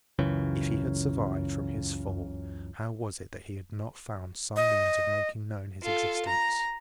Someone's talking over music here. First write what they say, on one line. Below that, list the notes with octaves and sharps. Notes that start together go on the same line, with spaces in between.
If he had survived from his fall, how was it that he had not found some means of making known his existence?
C#2 F#2 C#3 E3
D#5
F4 A4
A#5